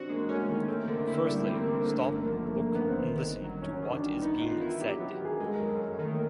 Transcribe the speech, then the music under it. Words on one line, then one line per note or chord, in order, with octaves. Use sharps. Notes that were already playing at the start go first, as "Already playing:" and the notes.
Firstly, stop, look and listen to what is being said.
Already playing: C4 D4 F#4 G4
G#3 A#3
A3 C#4
D#3 A#3
A3 C4
A#3
D3
A3
A#3 E4
G3 A3
C4
A#3
D3
D3 A3
G1 A#3
A#3
F3 A#3
G2 A3
A#3
D3
B3
G1 C4
D#3
G1
F#3
F#2 C#4
D#3
D4
G1
B3 D#4
D#3 F4
E4 F4
F#3 G4
F#4
B3
G4
D#3 G#4
G#3 A4
A#4
F#2
A4
F#2
D#3 A3
A#3